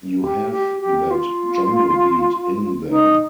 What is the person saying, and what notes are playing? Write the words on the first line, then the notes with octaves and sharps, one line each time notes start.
You have that jungle beat in there.
G4
G4
G4
F4
D#4